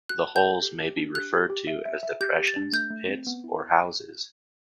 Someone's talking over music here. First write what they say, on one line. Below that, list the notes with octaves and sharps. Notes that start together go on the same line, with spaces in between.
The holes may be referred to as "depressions", "pits", or "houses".
F#4 F#6
A5
G6
A4
G4
G4
D4
G4 F#6
G4
G4
E5
E5
E5
G4 G6
G4
A6
D4
A3 G6
A3
C4
B3
E4